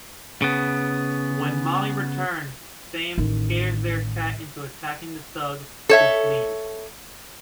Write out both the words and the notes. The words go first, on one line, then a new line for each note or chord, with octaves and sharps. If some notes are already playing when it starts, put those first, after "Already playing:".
When Molly returns, Sam scares their cat into attacking the thug, who flees.
C#3 B3
A1 D#3
A4 C#5 E5